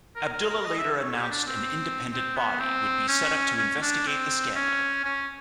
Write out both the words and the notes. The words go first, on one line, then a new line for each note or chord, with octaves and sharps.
Abdullah later announced an independent body would be set up to investigate the scandal.
A#4
A#4
A#4
D#5
E5
C#5
G4
D4
C4
C4
B3
C4
C#4
C#4
D4
C4
C#4
C#4